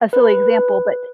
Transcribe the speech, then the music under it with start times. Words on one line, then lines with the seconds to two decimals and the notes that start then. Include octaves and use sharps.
a silly example, but
0.13 B4